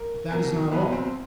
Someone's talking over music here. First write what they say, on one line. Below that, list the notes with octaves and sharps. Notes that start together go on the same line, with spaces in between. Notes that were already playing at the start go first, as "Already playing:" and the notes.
But that is not all.
Already playing: A#4
C2 B2 F#3 A#4
B1 B2 F#3 B3 B4
C4 C5